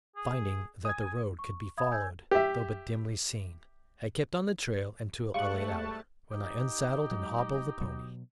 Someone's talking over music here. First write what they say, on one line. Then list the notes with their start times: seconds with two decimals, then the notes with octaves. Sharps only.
Finding that the road could be followed, though but dimly seen, I kept on the trail until a late hour, when I unsaddled and hobbled the pony.
0.16 G#4
0.85 G#5 D#6 G#6
1.39 C#6
1.77 E5 F5 B5 D#6 G#6
1.91 G#5 E6 G6 G#6
2.31 G4 E5
5.34 G#2 G3 A3 F5 A5 C#6 F#6
6.30 D#4 G4 D#5
7.11 F#3 G#3
7.81 B2 F#3